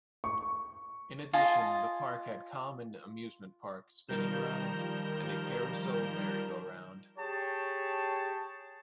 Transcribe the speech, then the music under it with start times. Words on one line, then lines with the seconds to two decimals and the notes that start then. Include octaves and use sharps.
In addition, the park had common amusement park spinning rides and a carousel merry-go-round.
0.24 C#6
1.33 F4 D#5 G#5 A5
4.09 D#3 F3 G3 A#4 G6 E7
7.18 G4 G#4 C#5 A5